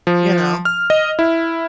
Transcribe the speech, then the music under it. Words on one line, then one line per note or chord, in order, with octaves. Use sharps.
you know?
F3
F6
D#5
E4